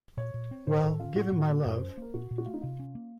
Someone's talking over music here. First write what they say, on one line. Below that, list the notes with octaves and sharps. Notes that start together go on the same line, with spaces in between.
Well, give him my love.
A#2 C#5
A#2
C4
A2 C5
A2 A4
C#4 F4
A2 F#4
A2
A#3
F#2 A#4
C5
C#4
C5
A#3 A#4
A#2 F#4
A#2
F#4
A3 F4
D#4
C3 F4
C#4
A#3